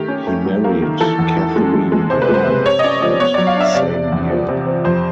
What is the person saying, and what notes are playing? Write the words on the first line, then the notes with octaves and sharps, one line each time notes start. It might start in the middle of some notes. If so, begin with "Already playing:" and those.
He married Catherine Brown that same year.
Already playing: D#3 A3 G4
C#4
A3
F#3
A#3
D#3
E3 A4
E2
E3
G#3
G#3
G#3
C3 C5
B4
G#3 C5
C3
C3 C#5
D#5
C#4 D5
F3 D#5
B3 C#5
F#3 D5
F5
D4 E5
C3 D5
C3
E2
F3
C3
C4
F2 C5